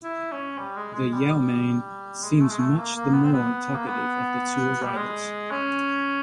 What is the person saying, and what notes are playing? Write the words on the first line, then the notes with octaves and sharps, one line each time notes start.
The Yeoman seems much the more talkative of the two arrivals.
E4
C#4
G3
G#3
G#3
G3
G#3
A3
G#3
A3
A#3
A#3
B3
C4
B3
A#3
B3
G3
G#3
C#4